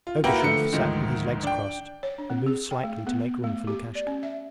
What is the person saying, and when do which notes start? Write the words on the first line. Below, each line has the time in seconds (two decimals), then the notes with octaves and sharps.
Ergushov sat with his legs crossed and moved slightly to make room for Lukashka.
0.07 F4
0.24 A#3 E4 F#4 B4 F#5 G5
0.42 D3 F3 A3 C#7
0.72 D2 G#2 D#3 F3
1.43 D4 G5
2.03 C#5
2.18 D4
2.30 C4
2.46 G#4
2.71 G5
2.84 A3
3.07 B3
3.44 A3
3.67 G4
3.95 D5
4.07 C#4
4.23 E5